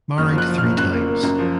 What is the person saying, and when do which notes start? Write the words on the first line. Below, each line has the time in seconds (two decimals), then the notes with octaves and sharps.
Married three times.
0.18 F#1 F6
0.33 F3
0.38 F#6
0.48 F3
0.58 F6
0.63 F#1
0.78 F#2 F#6
0.93 A#3
1.08 A#3
1.23 F#2
1.39 F3